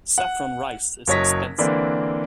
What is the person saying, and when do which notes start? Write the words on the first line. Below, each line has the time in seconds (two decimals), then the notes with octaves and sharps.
Saffron rice is expensive.
0.18 F#5
1.08 F#1 F#3 C#5 D#5 A#6 B6
1.58 D3 E3 A#3 C4 D4